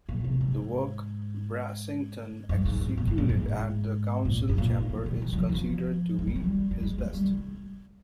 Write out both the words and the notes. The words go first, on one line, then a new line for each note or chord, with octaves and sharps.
The work Brassington executed at the council chamber is considered to be his best.
A#2
C3
G#2
G2
G#2
G#2
A#2
G#2
A#2
G#2
A#2
G#2
A#2
A#2
D3
D#3
G3
F3
D#3
F3
G#3
G3
F3
G3
G3
G#3
G#3
G3
D3